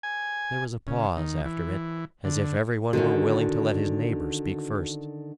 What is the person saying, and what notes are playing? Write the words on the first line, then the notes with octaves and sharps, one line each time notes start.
There was a pause after it, as if everyone were willing to let his neighbor speak first.
G#5
C#3
D#3
E3
D3
D3 D#3 C#4 F#4